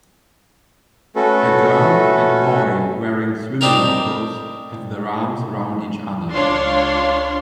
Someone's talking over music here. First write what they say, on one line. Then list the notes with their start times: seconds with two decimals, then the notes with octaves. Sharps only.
A girl and boy wearing swimming goggles have their arms around each other.
1.16 A3 C#4 F#4 A4 B4
3.61 C4 D4 D#4 G4 A#4
6.34 C#2 D4 F4 C#5 F5 C6